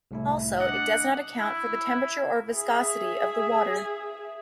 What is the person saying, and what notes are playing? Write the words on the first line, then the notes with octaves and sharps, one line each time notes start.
Also, it does not account for the temperature or viscosity of the water.
C2 A2 E4
D4 D5 D#5 F#5
E4
G#4 E5